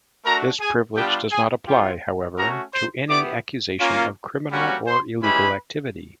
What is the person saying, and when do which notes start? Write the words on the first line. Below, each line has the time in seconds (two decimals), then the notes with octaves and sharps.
This privilege does not apply, however, to any accusations of criminal or illegal activity.
0.25 A3 D4 F#4 A#4 A#5
0.60 G#4 G#5
0.95 G3 B3 D4 F4 G4 G5
1.31 G#4 G#5
1.66 C4 F4 G4 G5
2.37 A3 C#4 F#4 A#4 A#5
2.73 C5 C6
3.09 B3 E4 G4 D5 D6
3.80 A#3 C#4 F4
4.51 G3 A#3 C#4 F#4
4.87 C5 C6
5.22 G#3 C#4 E4 G4 B4 B5